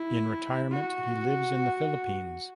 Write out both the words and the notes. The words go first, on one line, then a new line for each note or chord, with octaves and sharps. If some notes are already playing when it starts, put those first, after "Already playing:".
In retirement he lives in the Philippines.
Already playing: E4
F#4